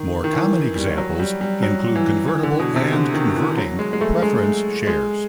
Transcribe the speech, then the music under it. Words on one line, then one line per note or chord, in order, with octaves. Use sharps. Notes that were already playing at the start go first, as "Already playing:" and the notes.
More common examples include convertible and converting preference shares.
Already playing: D#3
D#3
E3
G3
F#3
G3
G3
F#3
E3
E3
D3
B2
C3
D3
D#3
E3
F#3
G#3
G#3
A3
G#3
G#3